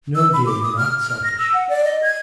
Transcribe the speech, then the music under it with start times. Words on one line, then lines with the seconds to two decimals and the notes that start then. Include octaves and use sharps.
'No, dear, you're not selfish....
0.15 E6
0.33 B5
0.46 D6
0.63 D#6
0.77 F6
1.00 F6
1.24 A#6
1.38 E6
1.54 F#5
1.69 D5
1.85 D#5
2.02 G#6